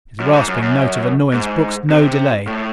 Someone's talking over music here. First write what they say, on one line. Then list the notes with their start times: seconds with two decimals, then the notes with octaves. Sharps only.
His rasping note of annoyance brooked no delay.
0.20 F#2
0.33 G#2
0.48 F#2
0.62 F#2
1.33 G#2
1.90 C3
2.47 A2